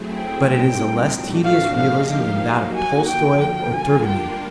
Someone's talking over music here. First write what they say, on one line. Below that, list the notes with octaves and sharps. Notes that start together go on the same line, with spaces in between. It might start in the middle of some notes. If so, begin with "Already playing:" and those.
But it is a less tedious realism than that of Tolstoy or Turgenev.
Already playing: F#3 A3 C4 E4 G#4
G5
A#2 G3 C4 D#4
A2 F3 A3 D4 F#4
F5
F3 A#3 D#4 G4 F5
F5
F#3 A#3 D#4 F#4
G#5
F#2 D3 F3 A#3 G5
G5
G3 A#3 D4 F4 G#5
G5